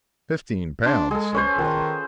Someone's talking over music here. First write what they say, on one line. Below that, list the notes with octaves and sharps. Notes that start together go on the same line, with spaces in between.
"Fifteen pounds!" said Bell.
D4 C6
G#3 G#4 A4
C#4 B4 C5
D#3 F4